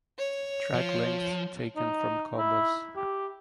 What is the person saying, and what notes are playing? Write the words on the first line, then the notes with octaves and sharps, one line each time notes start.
Track lengths taken from Qobuz.
C#5
F3
D#4
E4
G4